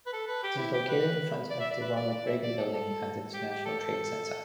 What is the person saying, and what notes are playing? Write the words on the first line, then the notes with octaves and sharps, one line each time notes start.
It is located in front of the Ronald Reagan Building and International Trade Center.
B4
A4
B4
G4
E4
G4
B4
D5
E5
D5
B4
D5
D5
E5
D5
A4
A4
G4
G4
A4
A4